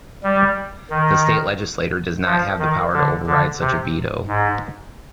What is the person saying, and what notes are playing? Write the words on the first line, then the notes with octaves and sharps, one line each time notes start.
The state legislature does not have the power to override such a veto.
G3
D#3
F3
D#3
D3
D3
C3
G#2